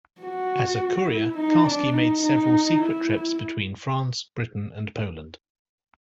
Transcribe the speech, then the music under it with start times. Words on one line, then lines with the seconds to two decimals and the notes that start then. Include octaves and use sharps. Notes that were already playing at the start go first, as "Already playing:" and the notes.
As a courier, Karski made several secret trips between France, Britain and Poland.
0.21 F#4
1.07 E4
1.37 D#4
1.65 D4
1.94 D#4
2.22 D#4
2.80 E4